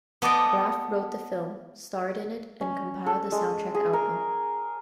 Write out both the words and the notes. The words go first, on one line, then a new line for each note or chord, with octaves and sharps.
Braff wrote the film, starred in it, and compiled the soundtrack album.
B3 A4 D5 D#5 G5
C#4
A4
G#3
G#4
A#4